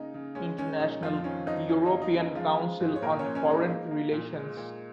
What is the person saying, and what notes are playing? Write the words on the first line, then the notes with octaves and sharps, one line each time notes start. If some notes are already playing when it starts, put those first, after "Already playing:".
International: European Council on Foreign Relations.
Already playing: C#3 A#3 D#4
C#3
G#3 C#4
G#3 C#4
A#2 D#4
F2 F3 F4
D#3 C#4
F2 D#4
C#3 C#4
D#4
A#3
D#4
C#3
D#4
F3 G#3 F4
G#3
G#2
C#5
A#2 A#3 A#4
C#4 C#5
A#2
C#4 C#5
G#3
D#4
A#3
A#3
A#2
G#3
A#2